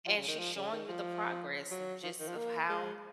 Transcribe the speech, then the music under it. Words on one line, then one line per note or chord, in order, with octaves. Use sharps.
and she's showing you the progress of just of how
F3
C#3
D#3
F3
C#3
D#3
F3
F#3
F3
D#3
F3
A#3
G#3